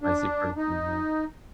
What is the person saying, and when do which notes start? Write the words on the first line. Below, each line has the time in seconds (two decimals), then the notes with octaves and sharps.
spicy person. Yeah.
0.01 D4
0.57 D#4